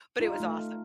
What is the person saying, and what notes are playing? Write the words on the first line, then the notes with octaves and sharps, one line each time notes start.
but it was awesome.
D#4 F4
A3